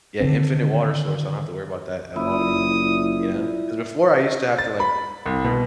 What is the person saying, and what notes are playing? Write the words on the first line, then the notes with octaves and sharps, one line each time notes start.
yeah, infinite water source. I don't have to worry about that at all anymore, you know? 'Cause before I used to have to, like
D3 D#3 C4
F#1 E4 F4 D5 D#6
A6
B5
C2
B2